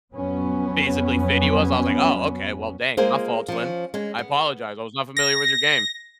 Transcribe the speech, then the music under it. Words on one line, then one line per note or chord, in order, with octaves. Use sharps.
physically fit he was. I was like, "Oh, okay. Well, dang." No fault to him. "I apologize. I was not familiar with your game."
F2 F#3 B3 C#4
G#3 A#3 F4 G#4 A#4 C5
F3 C#4
G#3 C#4
B3
A#6